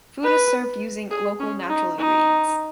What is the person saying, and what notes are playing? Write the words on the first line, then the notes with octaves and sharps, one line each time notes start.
Food is served using local natural ingredients.
B4
G#4
C#4
D#4
D#4